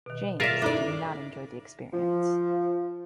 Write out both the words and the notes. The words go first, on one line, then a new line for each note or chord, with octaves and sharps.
James did not enjoy the experience.
B2 D#3
F4 G#4 A#4 D5 E5
C#4 D#4 E4 A4 D5 D6
F3